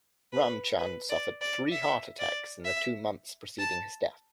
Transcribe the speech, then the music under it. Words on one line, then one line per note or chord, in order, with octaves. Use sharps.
Ramchand suffered three heart attacks in the two months preceding his death.
B4
B4
D5
D5
E5
D5
E5
A5